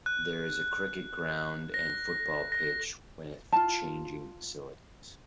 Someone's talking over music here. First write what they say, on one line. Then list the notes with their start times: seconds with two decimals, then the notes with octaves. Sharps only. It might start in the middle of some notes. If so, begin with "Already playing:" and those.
There is a cricket ground and football pitch with changing facilities.
0.06 F#6
1.74 A#6
2.52 A#6
3.52 F4 A5